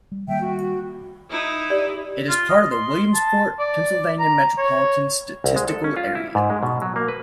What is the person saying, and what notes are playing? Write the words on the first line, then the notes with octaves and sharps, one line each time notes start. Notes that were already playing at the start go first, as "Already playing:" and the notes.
It is part of the Williamsport, Pennsylvania Metropolitan Statistical Area.
G3
D#3 G3 A#3 E5 G5
F#4
D#4 E4
G4 D5
F4
D#5
C6
A5
D5
A#5
C#5
C2
G#3
A4
C#4
F4
E4
G#2
G#3
B2
F#3
A#3
B4